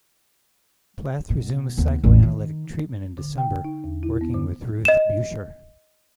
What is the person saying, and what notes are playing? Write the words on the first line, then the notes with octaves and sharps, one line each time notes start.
Plath resumed psychoanalytic treatment in December, working with Ruth Beuscher.
B2
D#2 B3
A1 E2
D#3
D3
G5
D#4
E2
E4
B3
D3
D#5 E7